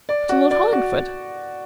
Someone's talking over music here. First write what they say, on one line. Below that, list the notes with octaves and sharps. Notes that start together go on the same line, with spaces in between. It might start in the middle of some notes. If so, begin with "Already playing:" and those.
To Lord Hollingford?
D5
F#4
D5
F#4